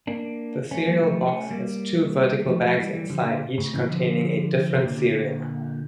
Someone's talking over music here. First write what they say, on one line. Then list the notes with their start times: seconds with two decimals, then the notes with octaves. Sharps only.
The cereal box has two vertical bags inside, each containing a different cereal.
0.07 A#3 D4
0.71 A3 C#4
0.86 G3 A#3
1.02 F3 A3
1.21 D4
1.26 A3 C#4
1.51 G3 A#3
2.46 F3 A3
2.62 F3 A3
2.78 E3 G3
2.93 E3 G3
3.10 D3 F3
3.25 A#2 D3
3.58 A2 C#3
3.74 C#3 E3
3.89 D3 F3
4.75 C#3
4.85 A#2 D3